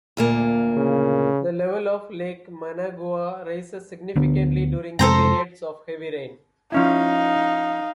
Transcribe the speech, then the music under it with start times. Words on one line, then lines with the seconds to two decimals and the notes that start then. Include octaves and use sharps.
The level of Lake Managua raises significantly during the periods of heavy rain.
0.17 D2 A#2 A#3
0.77 C#3
4.16 D2 D3 B3
4.99 F2 C3 G#3 A4 C5 A#5
6.72 F3 C#4 D#4 E4 F5